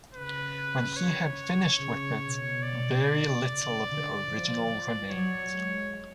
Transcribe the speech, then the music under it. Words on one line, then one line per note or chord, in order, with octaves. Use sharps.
When he had finished with it, very little of the original remained.
C#3 B4
C#5
C#3
B2
D5
C#3
D3
F3
F#3 C#5
G#3